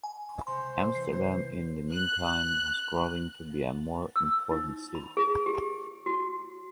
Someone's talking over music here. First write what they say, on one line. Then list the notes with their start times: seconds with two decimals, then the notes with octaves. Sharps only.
Amsterdam in the mean time was growing to be a more important city.
0.03 G#5
0.47 C#2 C3 C5 C6
0.95 E3 C4 C7
1.92 F#6
4.16 E6
4.51 D#4
4.95 B5
5.17 G#4
5.46 G4
6.06 F#4